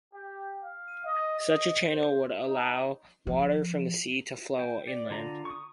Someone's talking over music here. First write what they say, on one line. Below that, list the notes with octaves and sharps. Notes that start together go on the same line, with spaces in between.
Such a channel would allow water from the sea to flow inland.
G4
F5
D#5
D#5
C5
D#4
F3
G5
D5
D3 F4 A#5
C#6 D#6